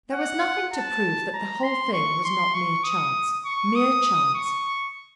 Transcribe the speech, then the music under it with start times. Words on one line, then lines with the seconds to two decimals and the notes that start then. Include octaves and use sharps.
There was nothing to prove that the whole thing was not mere chance, mere chance.
0.13 F#5
0.73 A5
1.34 A#5
1.64 C6
1.93 C#6
2.24 C6
2.54 C#6
2.84 D#6
3.45 C#6
3.75 D#6
4.35 C#6